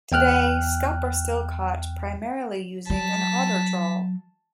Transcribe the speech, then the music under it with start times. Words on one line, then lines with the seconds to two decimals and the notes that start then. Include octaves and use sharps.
Today, scup are still caught primarily using an otter trawl.
0.12 E2 G5 F6 F#6
2.90 F#3 A5 B6